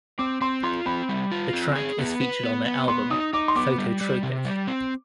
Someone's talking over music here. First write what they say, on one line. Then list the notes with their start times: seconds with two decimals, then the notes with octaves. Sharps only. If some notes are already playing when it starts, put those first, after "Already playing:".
The track is featured on their album "Phototropic".
0.19 C4 D6
0.41 C4 C6
0.63 F4 C6
0.86 C4 B5
1.09 G3
1.31 F4
1.53 C4
1.75 G#4
1.99 B3
2.21 B4
2.43 B3
2.66 B3
2.88 B3 C6
3.10 D#4 D#6
3.33 D#4 D6
3.48 C6
3.56 B3 D6
3.78 G3
4.01 G3
4.23 C3
4.45 G3
4.67 C4